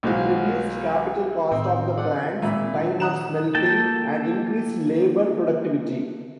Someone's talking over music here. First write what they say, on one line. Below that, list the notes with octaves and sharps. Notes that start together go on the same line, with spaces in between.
It reduced capital cost of the plants, time of smelting, and increased labor productivity.
B1 F#3 G#3 C5 F5
A2 D#3 C4 D#4 G6
G#4 D5 F#5
A#2 D#3 G#3 C4 E5 B5
D#3 D4 F4
D#6 F#6 E7
A#3 A4 G5 A5